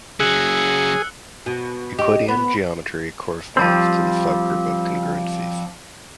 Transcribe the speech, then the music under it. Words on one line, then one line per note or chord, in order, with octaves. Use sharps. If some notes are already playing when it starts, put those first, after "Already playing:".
Euclidean geometry corresponds to the subgroup of congruencies.
C#3 F#3 G#4 E6 F#6 C#7
B2
G4 D#5
B3 B5
F3 G3 C4